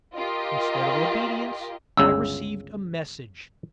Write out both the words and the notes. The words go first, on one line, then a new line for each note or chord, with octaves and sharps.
Instead of obedience, I received a message.
F4 G4 A#4 D#5
G1 C#2 C#3 E6